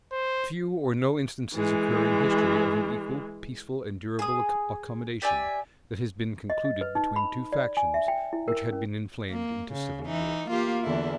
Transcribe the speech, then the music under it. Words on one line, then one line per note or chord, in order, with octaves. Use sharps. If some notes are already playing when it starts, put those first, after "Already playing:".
Few or no instances occur in history of an equal, peaceful, and durable accommodation that has been concluded between two factions which had been inflamed into civil war.
C5
E3 G#3
G#4 D#6
G4 D5 E5 G#5
D#5
D#5
B4
D#4
B5
D5
G#5
E5
G5
E4
A#4
C#4
A#3
C#3
E3 D#4
A#3 F4 G4
E2 D3 E4